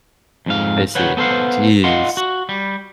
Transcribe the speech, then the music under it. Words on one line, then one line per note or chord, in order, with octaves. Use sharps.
I see. Jeez.
F2 G#2 F5
B4 C#5 F#5 G5
B3 A4 C5 F5 F#5
F4 D#5 F#5 C6
F#4
G3